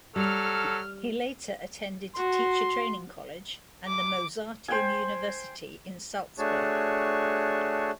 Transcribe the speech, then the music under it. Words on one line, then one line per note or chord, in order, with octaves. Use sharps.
He later attended teacher training college and the Mozarteum University in Salzburg.
F#3 G3 A4 F6
F#4 C6
D6
C5 G5 G#5
A3 D4 F#4 G#4 C#5 A5